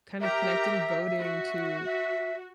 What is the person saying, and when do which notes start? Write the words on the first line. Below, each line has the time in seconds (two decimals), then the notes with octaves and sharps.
kind of connecting voting to
0.20 G4 A#4 E5 A#5
1.19 F#4
1.85 E5